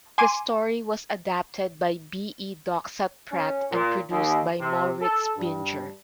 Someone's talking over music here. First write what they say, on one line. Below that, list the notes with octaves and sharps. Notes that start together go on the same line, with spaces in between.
The story was adapted by B. E. Doxat-Pratt and produced by Maurits Binger.
G#5 C6 D6 D#7
C#4
A#2
D#2
C3
A4
G2